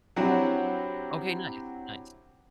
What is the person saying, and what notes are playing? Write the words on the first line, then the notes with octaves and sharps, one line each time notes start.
Okay, nice, nice.
F#3 C4 D4 E4 F#4 G4